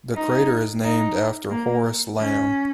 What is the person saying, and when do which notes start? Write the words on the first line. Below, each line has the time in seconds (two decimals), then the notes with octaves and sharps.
The crater is named after Horace Lamb.
0.15 D#4
0.83 D#4
1.50 A#3
2.20 C#4